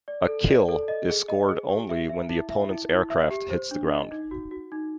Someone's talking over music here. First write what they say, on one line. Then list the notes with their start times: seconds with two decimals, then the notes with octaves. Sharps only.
A "kill" is scored only when the opponents aircraft hits the ground.
0.08 D5
0.28 A4
0.49 D5
0.69 A4
0.88 D#5
1.09 G#4
1.28 D#5
1.49 G#4
1.70 G4
1.89 E5
2.09 E5
2.29 E4
2.50 E5
2.70 E4
2.90 E4
3.10 E5
3.31 G4
3.50 C5
3.71 D4
3.91 D#5
4.11 D#4
4.31 F#4
4.51 F#4
4.72 D#4